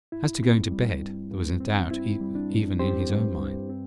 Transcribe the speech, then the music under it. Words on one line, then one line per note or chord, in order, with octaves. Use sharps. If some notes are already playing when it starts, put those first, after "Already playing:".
As to going to bed, there was a doubt even in his own mind.
G2 E4
C4
G3
G2
G2
C4
C4 E4
G3
D4
G2
C4 G4 C5
G2
G2
C4